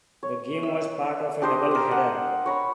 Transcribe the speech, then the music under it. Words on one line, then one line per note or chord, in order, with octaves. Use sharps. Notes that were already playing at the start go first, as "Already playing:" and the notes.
The game was part of a double header.
C#5
E5
D4 G4 C5 D#5
A#4 C5
F#5
C#5 A#5 B5